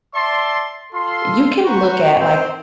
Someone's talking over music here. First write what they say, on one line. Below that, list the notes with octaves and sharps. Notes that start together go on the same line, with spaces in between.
you can look at, like,
D5 E5 A5 C6
F4 A4 C6
F#4 B4 C5 A#5 C#6
C4 C5